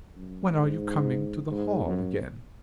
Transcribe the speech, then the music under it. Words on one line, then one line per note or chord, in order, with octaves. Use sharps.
'When are you coming to the hall again?'
F#2
G#2
G#2
F#2